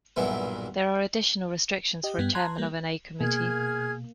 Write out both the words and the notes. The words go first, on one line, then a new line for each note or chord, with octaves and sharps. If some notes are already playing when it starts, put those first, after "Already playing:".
There are additional restrictions for a chairman of an A Committee.
B1 G2 A#2 E3 B3
G4 D#5
G2 G3 B3
A5 A#5 C6 F#6 G#6
G3 A#3
B2 A#3 G#4 F6 G#6